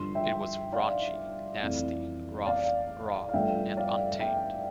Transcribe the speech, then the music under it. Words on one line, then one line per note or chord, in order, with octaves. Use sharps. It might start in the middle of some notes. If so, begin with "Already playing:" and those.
It was raunchy, nasty, rough, raw, and untamed.
Already playing: G2 D3 F3 C6
E5 G5
D5 F5
F2 E3 A3
D5 F5
F5
G2 F3 A3 E5 G5
D5 F5
E5 G5